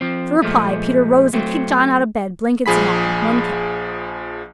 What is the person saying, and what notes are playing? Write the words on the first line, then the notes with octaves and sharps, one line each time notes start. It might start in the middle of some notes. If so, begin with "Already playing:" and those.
For reply Peter rose and kicked John out of bed, blankets and all; one kick.
F3 C4
A#2 F3 G#3 A3
F#3 A3 C4
A#1 F3 G#4 B5 B6